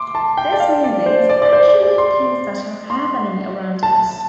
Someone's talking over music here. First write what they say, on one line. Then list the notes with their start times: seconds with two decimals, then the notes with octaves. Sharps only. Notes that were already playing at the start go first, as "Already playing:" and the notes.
This movie is actually things that are happening around us.
Already playing: C6 D6
0.15 A5
0.37 G5
0.52 D5
0.60 F5
0.84 D5
1.06 C5
1.29 D5
1.42 D5
1.53 C5
1.68 D5
1.83 D5
1.98 C6
2.90 C6
3.83 A5